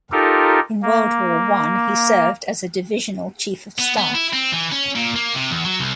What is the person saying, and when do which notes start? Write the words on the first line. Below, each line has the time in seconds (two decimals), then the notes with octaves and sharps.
In World War One he served as a divisional chief of staff.
0.12 D#4 F4 G4 A4 A#4
0.82 A#3
3.79 B3
3.97 B3
4.15 E4
4.33 C4
4.52 E3
4.72 C#4
4.95 A#2
5.16 A#3
5.35 C3
5.51 E2
5.65 F#3
5.80 C2